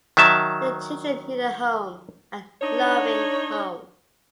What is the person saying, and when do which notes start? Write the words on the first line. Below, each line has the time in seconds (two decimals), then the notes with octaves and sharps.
The children need a home, a loving home.
0.17 D#3 F#3 E5 A5
2.61 D4 D#4 C#5